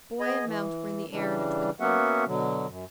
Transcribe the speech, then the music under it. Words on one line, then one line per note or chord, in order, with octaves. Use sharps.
Boy and mount were in the air in a twinkling.
B3 G#4 D#5 G#5
E3
C#3 E3 G3 D4
A#3 B3 C#4 F#4 E5 F#5
B2 D3 F#3
F#2